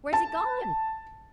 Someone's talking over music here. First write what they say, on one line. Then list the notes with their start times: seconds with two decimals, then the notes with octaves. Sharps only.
Where's he gone?
0.13 A5